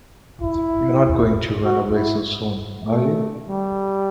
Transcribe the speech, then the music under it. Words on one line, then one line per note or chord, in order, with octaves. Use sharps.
You are not going to run away so soon, are you?
E4
F#4
E4
A3
G3